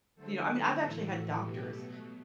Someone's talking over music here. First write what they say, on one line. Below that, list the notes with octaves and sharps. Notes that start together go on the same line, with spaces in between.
you know, I mean, I've actually had doctors
D3 F#3 A3 A4 C5
B4 D5
A2 E3 A3 A4 C5
F#4 A4
B2 F#3 A3 G4 B4